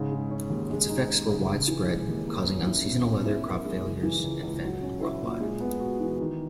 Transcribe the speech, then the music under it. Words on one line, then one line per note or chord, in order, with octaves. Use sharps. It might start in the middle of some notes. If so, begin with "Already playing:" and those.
Its effects were widespread, causing unseasonal weather, crop failures and famines worldwide.
Already playing: G#2 C#3
G#3
C#4
D#2
G#3
D#4
G#4
C#3
C#3
E3
G#3
D#2
A#3
C#4
E4
B2
C#4
E4
A#4
G#3
C#3
E3
C#2
C#2
F#3
C#4
E4
A#2
G#3
B3
F#4
E3
D#3